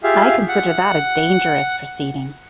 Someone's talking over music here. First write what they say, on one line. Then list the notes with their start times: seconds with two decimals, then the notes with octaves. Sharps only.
I consider that a dangerous proceeding.
0.03 F4 G4 G#4 E5 F5
0.48 F#5